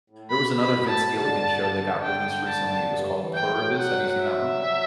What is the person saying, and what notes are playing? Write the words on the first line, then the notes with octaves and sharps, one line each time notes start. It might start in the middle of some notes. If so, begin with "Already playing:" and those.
There was another Vince Gilligan show that got released recently, it was called Pluribus. Have you seen that one?
A2
B2 B5
B5
A5
D3 A5
G5
A5
G2
E3
A3 G5
G3
F#3
F#5
E5
G3
F#3